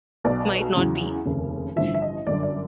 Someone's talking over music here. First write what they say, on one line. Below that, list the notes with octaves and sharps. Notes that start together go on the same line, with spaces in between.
It might not be.
B1 B2 F#3 D5
E2 C#3 F#3
F1 D#2 C#3
A1 G2 D3 F3 E5
E5
D#5
G1 F#2 D3 D5
D5